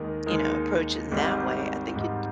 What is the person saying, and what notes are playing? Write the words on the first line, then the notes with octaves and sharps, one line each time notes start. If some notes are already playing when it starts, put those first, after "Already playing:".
you know, approach it in that way, I think it
Already playing: D#2 D#3 G#3 A#4
D#2 D#3 G#3 D#4 A#4
G#1 G#2 G3
G#1 G#2 G3